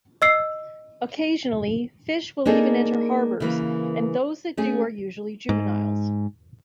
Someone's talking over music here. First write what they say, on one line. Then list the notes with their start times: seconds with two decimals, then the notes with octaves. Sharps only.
Occasionally, fish will even enter harbors, and those that do are usually juveniles.
0.22 D#5 E6 C7
2.45 A#3 D4 D#4 G#4 A4
3.40 C#3 E3 A#3
4.57 A3 C#4 G#4
5.49 G#2